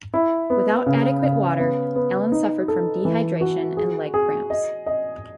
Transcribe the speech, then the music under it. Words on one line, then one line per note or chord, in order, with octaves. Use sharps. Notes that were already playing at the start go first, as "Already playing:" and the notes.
Without adequate water, Allen suffered from dehydration and leg cramps.
E4
B3
C#3
C#3
B3
B3
D#4
A4
E3
F#4
G#4
G#4
D#5
D#5